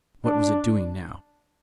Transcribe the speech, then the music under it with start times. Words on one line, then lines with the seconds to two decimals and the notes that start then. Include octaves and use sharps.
What was it doing now?
0.25 D4